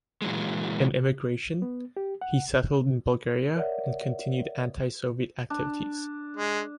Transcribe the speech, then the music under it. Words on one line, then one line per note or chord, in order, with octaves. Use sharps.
In emigration, he settled in Bulgaria and continued anti-Soviet activities.
A#2 E3 F#3 G#3
B3
G4
F#5
A#4 C#5 D5 E5 F#5
D4
G#3